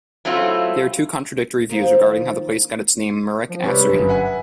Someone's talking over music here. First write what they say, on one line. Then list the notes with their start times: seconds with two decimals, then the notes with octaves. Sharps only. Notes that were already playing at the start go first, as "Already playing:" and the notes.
There are two contradictory views regarding how the place got the name Murickassery.
0.25 F#3 A3 C4 E4 F4
1.69 D#3 F3 A#3
3.50 F3
3.63 C3 G3 B4 C#5
3.89 G1 F#2
4.09 E5 F#5 G#5